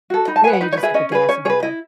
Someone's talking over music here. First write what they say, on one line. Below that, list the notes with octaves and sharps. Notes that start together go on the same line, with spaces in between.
Yeah, you just hit the gas and go.
F#4 A4
D#4 B5
A5
G#4 B4 G#5
F#5
D#4 B4
C#5
B4
G#4 E5
C#4 D#5
G#4 B4
C#4 C#5
G#4 B4 C#5
E4 D#5